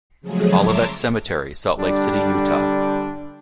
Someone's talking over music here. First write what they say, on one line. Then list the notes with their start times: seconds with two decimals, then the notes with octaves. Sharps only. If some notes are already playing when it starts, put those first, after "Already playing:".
Olivet Cemetery, Salt Lake City, Utah.
0.21 C#3 F3 F#3 G#3 A3 G#4
0.56 C#5 E5 A5 A#5 C6 D6
1.78 D3 G3 D4